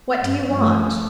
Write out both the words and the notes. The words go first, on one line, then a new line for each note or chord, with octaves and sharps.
"What do you want?"
G2
F3 A3